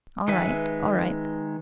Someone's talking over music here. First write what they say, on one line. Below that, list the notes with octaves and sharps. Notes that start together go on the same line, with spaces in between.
"All right, all right...."
D#3 G#3 B4 E5 G#5